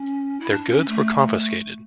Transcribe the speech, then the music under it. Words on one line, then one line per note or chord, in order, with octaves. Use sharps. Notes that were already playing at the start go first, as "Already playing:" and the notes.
Their goods were confiscated.
Already playing: C#4
E4
D4
C#4
A3